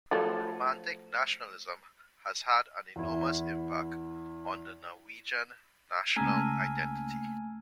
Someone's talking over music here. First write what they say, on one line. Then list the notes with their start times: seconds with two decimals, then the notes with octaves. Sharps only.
Romantic nationalism has had an enormous impact on the Norwegian national identity.
0.11 F3 F#3 A3
2.96 E2 E4
6.16 C#2 C#3 A3 A#3 G#5